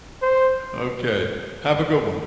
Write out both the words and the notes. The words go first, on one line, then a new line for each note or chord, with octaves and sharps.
Okay. Have a good one.
C5